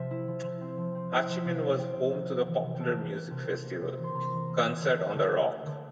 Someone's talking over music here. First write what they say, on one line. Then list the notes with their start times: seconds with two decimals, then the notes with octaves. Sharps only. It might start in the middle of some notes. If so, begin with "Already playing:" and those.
Hachimen was home to the popular music festival, Concert on the Rock.
Already playing: C3 F3 E5
0.11 E4
0.28 F3
0.45 F3
0.61 C4
0.78 F3
0.95 C4
1.12 E4
1.29 F3 E5
1.45 C3 F5
1.63 E4
1.79 F3 G5
1.96 C3
2.12 A#3
2.30 A#3
2.47 E3
2.63 C3
2.75 G5
2.80 A#3 A5
2.97 A#3
3.14 A#3
3.31 C3
3.47 C3
3.64 A#3
3.81 C3
3.98 E3
4.04 C6
4.14 C3 A#5
4.31 E3
4.49 A#3
4.65 A#3
4.82 D3
4.98 A3
5.16 D3
5.33 A3
5.49 A3
5.66 D3